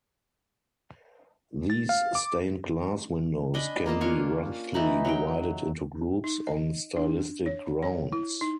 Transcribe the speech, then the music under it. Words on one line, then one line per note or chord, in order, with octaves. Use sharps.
These stained glass windows can be roughly divided into groups on stylistic grounds.
A6
F5
D6
D4 D#5 G#5 B5
A#3 F4 D#5 A5
C#4 D4 F4 C#5
E3 A3 D#4 B5
F#3 G5
D#4
D#5
D4
C#5
C#5
E4
D#4